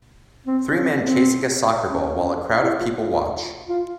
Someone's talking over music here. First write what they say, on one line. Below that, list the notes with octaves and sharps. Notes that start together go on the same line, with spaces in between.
Three men chasing a soccer ball while a crowd of people watch.
C4
C#4
C4
C4
C#4
E4
F4
F4
F4